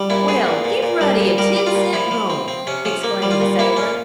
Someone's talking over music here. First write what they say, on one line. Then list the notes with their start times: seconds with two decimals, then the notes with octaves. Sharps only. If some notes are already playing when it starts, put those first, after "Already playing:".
"Well, give Ruddy a ten cent bone!" exclaimed the sailor.
Already playing: G3
0.10 A#2 E4
0.28 C4 G#4
0.46 A#2
0.64 A#2
0.83 A#2
1.01 G3
1.20 A#2
1.38 G3 A#4
1.56 G3
1.66 F4
1.75 A#2
1.93 F3 E4
2.11 F3
2.30 C4
2.48 C4
2.67 C3 C#4
2.85 F3 C#4
3.03 A#3
3.22 G3
3.31 F4
3.41 A#2
3.59 A#3 E4
3.76 A#2 C#4